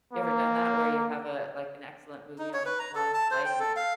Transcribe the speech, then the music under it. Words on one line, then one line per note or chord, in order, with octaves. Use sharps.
You ever done that where you have, uh, like, an excellent movie on a long flight, and it
A#3
D#4
C#5
B4
A#5
A4
A5
C5
G5
A4
F5